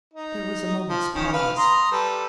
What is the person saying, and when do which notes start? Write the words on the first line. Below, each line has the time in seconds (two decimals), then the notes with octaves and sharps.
There was a moment's pause.
0.14 D#4
0.89 F3
1.14 D#3 C#4
1.33 B4 F5
1.57 A#5 C6 D#6
1.91 G3 A4 B4